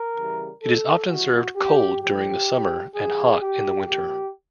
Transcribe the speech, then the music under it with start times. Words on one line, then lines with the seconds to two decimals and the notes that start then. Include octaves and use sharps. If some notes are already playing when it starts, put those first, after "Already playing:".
It is often served cold during the summer, and hot in the winter.
Already playing: A#4
0.17 C#3 E3 G3
0.63 A4
1.09 C#3 E3 G3 F#4
1.57 G4
2.02 A2 F3 G4
2.95 C#3 E3 G3 G#4
3.41 G4
3.87 A#2 F3 G4